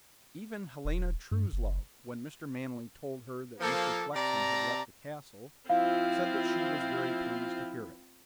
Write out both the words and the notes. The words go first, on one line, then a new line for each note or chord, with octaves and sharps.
Even Helena Truslove, when Mr. Manley told her that Mr. Flexen had left the Castle, said that she was very pleased to hear it.
D#1
G2
F#1
F3 A#3 A4
C3 D5 A5 A#5
F3 C4 E4 F4 F5